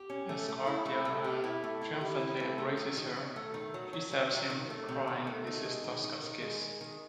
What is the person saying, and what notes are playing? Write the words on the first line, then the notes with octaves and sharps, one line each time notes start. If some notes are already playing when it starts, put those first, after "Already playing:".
As Scarpia triumphantly embraces her, she stabs him, crying "this is Tosca's kiss!".
Already playing: G4
C#4
A3
A3
E4
A3
A3
G4
E4
A3
E4
G4
E4
A3
A3
F#3
D#3
F#3
A3
D#3
F#3
F#3
F#3
F#3
D#3
A3
C3
D#3
A3
D#3
G#3
D#3
D#3
D#3
G#3
G#3
D#3